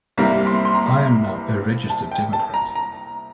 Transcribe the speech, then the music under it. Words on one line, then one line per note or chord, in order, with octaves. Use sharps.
I am now a registered Democrat.
C2 C3 G3 A#3 A#5
C6
C6
A#5
A5
G5
A5
A#5
A#5